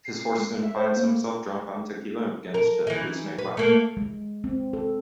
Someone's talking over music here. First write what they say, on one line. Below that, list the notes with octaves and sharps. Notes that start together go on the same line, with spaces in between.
His horse soon finds himself drunk on tequila and begins to hallucinate wildly.
C7
G#3
E5
C5
A#3
A#4
E3 D#4
B4
A3 A#3
G#3
C4
A4